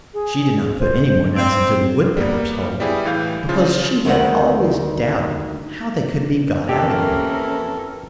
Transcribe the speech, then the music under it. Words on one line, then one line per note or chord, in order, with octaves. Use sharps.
She did not put any more nuts into the woodpecker's hole, because she had always doubted how they could be got out again.
G#4
C5
C4
G3 A#3 B3
G3 B3 E4 G4 G#4
A2 E3 F5 G6
C#3 F3 F4
D2 D#3 G3 F#5
F2 E3 A#3 C#4 G4 A4 A#4